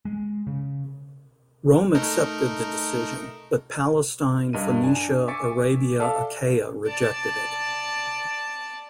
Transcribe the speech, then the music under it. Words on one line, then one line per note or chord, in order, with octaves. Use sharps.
Rome accepted the decision, but Palestine, Phoenicia, Arabia, Achaea rejected it.
G#3
C#3
A3 D#4 A#4
G2 A#4 D#5 D#7
D4 G#5
E5 G#5 C#6 D6 A6 C#7
A4 D5 E5 F5 A5
D5 A5